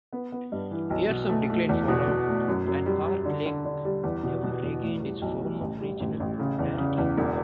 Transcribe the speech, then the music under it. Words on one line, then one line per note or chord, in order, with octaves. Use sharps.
Years of decline followed and Park Lake never regained its former regional popularity.
B3
B3
G2
E3
B1
B2
A3
A3
E2
B2
B2
A3
F#2
F#2
G3
G3
D3
D3
D3
G3
E2
B2
B2
E2
A2
G3
B1
G3
A1
G3
A1
A1
C#3
E2
C#3
E2
E1